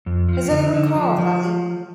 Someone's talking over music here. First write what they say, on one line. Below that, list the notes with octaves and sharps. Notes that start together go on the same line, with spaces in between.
Has any one called, Holly?
F2
F3
D3
D3
F3
F3